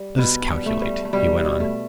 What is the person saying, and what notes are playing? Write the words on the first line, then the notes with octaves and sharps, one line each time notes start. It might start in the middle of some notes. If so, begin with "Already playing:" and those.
"Let us calculate," he went on.
Already playing: G3
B2 B3
G3
A3
G3
A3
B2 G3
B2
A3